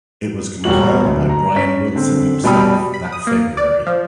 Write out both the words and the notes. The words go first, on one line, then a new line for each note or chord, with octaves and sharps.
It was compiled by Brian Wilson himself that February.
E1 G3 F#4 F#7
D2
A#5
C#4 B6
D3 C4
B2 G3 G5 B5 D#6
B5
D#6
A#3
D5
F3